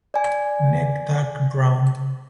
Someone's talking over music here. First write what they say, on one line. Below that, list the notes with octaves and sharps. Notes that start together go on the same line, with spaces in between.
Neck dark brown.
D5 G#5